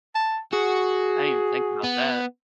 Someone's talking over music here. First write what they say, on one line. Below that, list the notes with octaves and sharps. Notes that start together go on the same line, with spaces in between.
I didn't think about that.
A5
F#4 G#4
B3